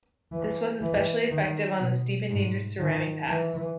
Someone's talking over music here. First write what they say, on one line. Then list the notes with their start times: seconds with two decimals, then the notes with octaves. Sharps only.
This was especially effective on the steep and dangerous Surami Pass.
0.32 E3
0.82 E3
1.31 D#3
1.81 B2
2.30 G#2
2.79 D#3
3.28 E3